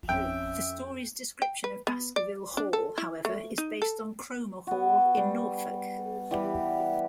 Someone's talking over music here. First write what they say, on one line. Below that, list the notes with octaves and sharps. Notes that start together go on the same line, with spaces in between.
The story's description of Baskerville Hall, however, is based on Cromer Hall in Norfolk.
F2 C#4 E5 G5
G5
B4
B3
D5
D4
A4
E4
A3
D#4
A4
B3 F#4
G3
E3 G3 B3 G4